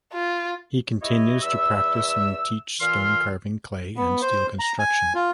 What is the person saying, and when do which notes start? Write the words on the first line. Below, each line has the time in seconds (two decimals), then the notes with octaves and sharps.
He continues to practice and teach stone carving, clay, and steel construction.
0.13 F4
1.02 E4 F#4 G4 C#5 D#5
1.42 E2 G3 E5 E6
2.81 A#2 E3 F4 C6 E6 F6
3.97 B3
4.22 C5
4.59 A#5
4.79 G#5
5.15 F4